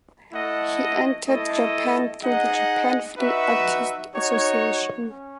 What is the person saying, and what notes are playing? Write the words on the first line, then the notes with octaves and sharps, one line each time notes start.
He entered Japan through the "Japan Free Artists Association".
A3 E4 A4 D#5 F#5
A3 E4 A4 D#5
D#4 G#4 D#5 F#5
D#4 F#4 B4 E5
D#4 F#4 C#5
C#4